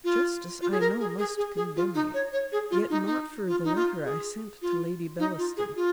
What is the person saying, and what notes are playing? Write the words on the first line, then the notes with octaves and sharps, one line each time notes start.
Justice I know must condemn me.--Yet not for the letter I sent to Lady Bellaston.
F4
F4
G#4
A#4
G#4
G#4
G#4
G#4
F4
D#4
C#5
C#5
G#4
F4
D#4
D#4
F4
D#4
F4
G#4
F4
D#4
F4
G#4
F4